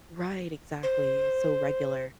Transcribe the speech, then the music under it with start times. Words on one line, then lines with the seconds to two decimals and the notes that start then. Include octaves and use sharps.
Right, exactly, so regular.
0.83 C5